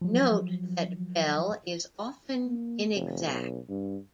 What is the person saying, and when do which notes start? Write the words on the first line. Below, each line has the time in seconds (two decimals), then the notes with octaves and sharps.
Note that Bell is often inexact.
0.01 F3 F#3
2.46 A#3
2.95 F1
3.27 B1
3.69 G2